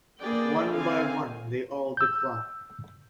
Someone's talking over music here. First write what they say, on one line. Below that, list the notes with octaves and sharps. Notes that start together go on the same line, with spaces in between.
One by one they all decline.
A#3 B3 D4 G#4 D5 G5
D3 C4 F5 G#5
E6 G6